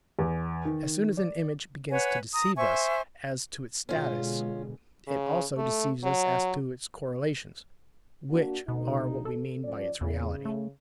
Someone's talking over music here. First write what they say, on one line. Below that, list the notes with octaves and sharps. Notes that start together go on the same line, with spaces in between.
As soon as an image begins to deceive us as to its status, it also deceives us as to its correlations, which are what we mean by its "reality."
E2
D#3
D5
B4 C#5 F#5 G#5
A#5 D#6
C5 E5 G#5 C#6
B2 D3 G#3 C#4 F4
C#3
A3
F#3
A#3 D4 F#4
D2 B2 D#4
A4
F3 C#4 D5
E2 C#3
A3